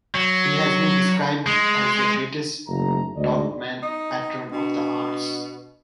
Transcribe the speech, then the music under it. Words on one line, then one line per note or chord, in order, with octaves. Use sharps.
He has been described as the greatest Turkmen patron of the arts.
F#3
G#3
F#1 G#2 A3 A#5
D2 G#2 D5 D#5
D#4
B2 D4